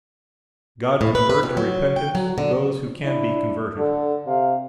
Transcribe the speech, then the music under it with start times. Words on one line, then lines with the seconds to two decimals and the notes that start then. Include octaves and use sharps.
God convert to repentance those who can be converted!
1.01 A2
1.15 B4
1.30 B4
1.43 F2
1.57 F#3
1.96 G5
2.15 F#3
2.38 D3
3.03 D4 E4
3.77 D3 A4
4.26 C3 F5